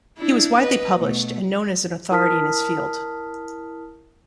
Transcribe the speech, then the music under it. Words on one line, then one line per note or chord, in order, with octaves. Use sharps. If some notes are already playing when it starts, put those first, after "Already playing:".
He was widely published and known as an authority in his field.
D4 E4
B4 D#5
B2 A3
E4 A#4 A5 D#6 F6 B6